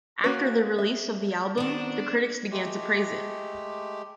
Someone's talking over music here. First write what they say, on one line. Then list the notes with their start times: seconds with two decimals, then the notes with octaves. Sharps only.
After the release of the album, the critics begin to praise it.
0.24 A#3 C#4 F#4 B4
0.78 E5
1.58 D#3 B3 C4 D4 F#4
2.51 G#3 A3 G4